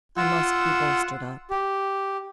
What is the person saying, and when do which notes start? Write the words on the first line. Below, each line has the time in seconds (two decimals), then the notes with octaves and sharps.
I must be bolstered up.
0.17 F4 F#5 E6
1.51 G4